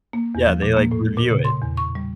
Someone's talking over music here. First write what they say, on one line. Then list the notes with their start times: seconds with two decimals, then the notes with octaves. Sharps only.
Yeah, they, like, review it.
0.13 A#3
0.35 E2
0.47 F3
0.62 A#2
0.77 A#3
0.91 A2
1.17 A#2
1.31 C#3
1.45 C6
1.62 E2
1.77 C#6
1.95 G3